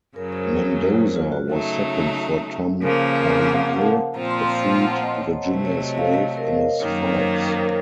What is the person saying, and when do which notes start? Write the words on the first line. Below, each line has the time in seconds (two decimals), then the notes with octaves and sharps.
Mendoza was second for Tom Molineaux, a freed Virginia slave, in his fights.
0.16 F#2 C#3 F#3 A#4
0.32 C5
0.49 C5
0.65 C#5
0.83 C5
0.99 F4
1.16 F4
1.32 F#4
1.49 C#3 F#3 A3 D#4 A4
2.82 C#3 F3 A#3 A#4
3.15 C5
3.42 F5
3.49 F#5
3.81 A5
4.14 A#2 F3 C4 F4 A#5
4.31 C6
4.48 A#5
4.65 A5
4.81 F#5
5.03 D#5
5.15 C#5
5.31 C5
5.47 C3 F#3 A3 C5
5.65 C#5
5.80 D#5
5.98 F5
6.14 D#5
6.37 A#4
6.47 C5
6.80 F#2 D#3 A#3 C#5
7.14 C5
7.47 A#4